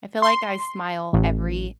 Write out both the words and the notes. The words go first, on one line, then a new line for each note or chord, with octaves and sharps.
I feel like I smile every
C6
A1